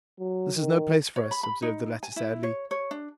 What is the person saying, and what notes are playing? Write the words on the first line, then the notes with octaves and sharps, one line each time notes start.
'This is no place for us,' observed the latter sadly.
F#3
D#3
C#5
B5
B5
D#4
G#5
E4
C#5
C#5
D4